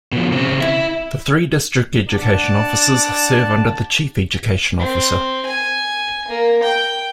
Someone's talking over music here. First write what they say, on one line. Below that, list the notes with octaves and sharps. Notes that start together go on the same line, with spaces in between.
The three District Education Officers serve under the Chief Education Officer.
B2 F3
C#3 C4
E4 E5
D4 D5 F#5 A5
C4
G#5
A#3
G5